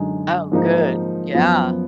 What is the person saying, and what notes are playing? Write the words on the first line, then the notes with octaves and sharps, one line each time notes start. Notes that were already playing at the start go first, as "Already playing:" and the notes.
Oh, good. Yeah.
Already playing: F#2 D3 G#3 D#4 G#4
G#2 F3 A#3 D#4
F#2 F3 B3